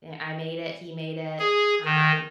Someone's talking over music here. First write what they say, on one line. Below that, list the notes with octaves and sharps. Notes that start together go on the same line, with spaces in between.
eh I made it, he made it, um
G#4
D#3